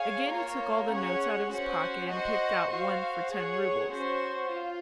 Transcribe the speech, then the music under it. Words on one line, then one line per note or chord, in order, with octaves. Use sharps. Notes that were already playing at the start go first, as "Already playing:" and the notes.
Again he took all the notes out of his pocket and picked out one for ten roubles.
Already playing: G#4 C#5 F5 G#5
A#3 F4 A#4 C#5
C#4 G#4 C#5 F#5
C#4 F#4 C5 F#5
F#4 C5 D#5 F#5
F#4 C5 F5
G#4 C#5 F#5
C#4 F#4 C5
F4